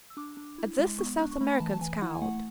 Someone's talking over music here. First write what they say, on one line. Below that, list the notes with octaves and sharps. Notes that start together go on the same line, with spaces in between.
At this the South American scowled.
E6
D4 D6
D4
E4
G#3
B3 C#6
D4
C#6
A3 B5
B5
E3 A5
A5
E3 G#5
E4 F#5
G#5
A3 F#5